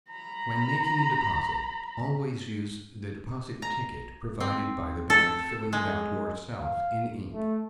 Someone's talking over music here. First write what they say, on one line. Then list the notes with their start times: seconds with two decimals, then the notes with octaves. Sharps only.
When making a deposit, always use the deposit ticket provided by the bank, filling it out yourself in ink.
0.11 A#5 B5
3.62 A#5
4.40 C4
5.10 A4
5.73 G#3
6.59 F5
7.33 A3